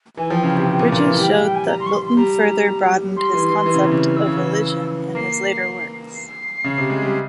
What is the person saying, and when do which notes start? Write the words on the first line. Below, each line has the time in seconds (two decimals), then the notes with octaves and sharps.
Bridges showed that Milton further broadened his concept of elision in his later works.
0.17 E3 G#5
0.30 F3 G5
0.42 C#3 G5
0.54 C3 G5
0.67 C3 G5
0.79 A#2
0.92 A#2 F5
1.05 E3
1.17 G3 G5
1.30 F5
1.42 G5
1.54 G#5
1.67 A#5
1.79 C6
1.86 C#6
1.92 C6
2.05 C6
2.16 G3 A#5
3.16 G3 C6
3.34 E3
3.49 E3
3.66 E3
3.74 C#3
3.84 C3
3.91 C#3
4.06 F6
4.16 E3 E6
4.26 C#3
4.37 E3
5.15 A#3 C7
6.15 C7
6.64 C#3
6.78 C3
6.90 G#3
7.02 G3